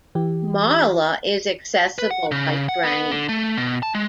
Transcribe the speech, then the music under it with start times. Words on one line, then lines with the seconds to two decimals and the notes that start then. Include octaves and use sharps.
Marla is accessible by train.
0.15 E3 G4
1.99 B4
2.11 F#5
2.31 C#3
2.69 F#5
2.83 B3
3.11 D3
3.29 A3
3.57 B2
3.83 A5
3.95 G#3